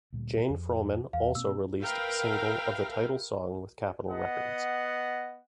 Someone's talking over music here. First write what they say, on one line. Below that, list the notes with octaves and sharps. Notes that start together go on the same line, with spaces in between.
Jane Froman also released a single of the title song with Capital records.
D2 A#2 G3
F2
E2 F5
B2 A#3 C4 E6
A#4 B4 E5 F5 G5
B3 D#5 F#5